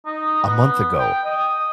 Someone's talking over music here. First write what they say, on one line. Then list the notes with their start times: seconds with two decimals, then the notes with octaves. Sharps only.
a month ago,
0.06 D#4
0.43 B3
0.98 G5
1.24 D#5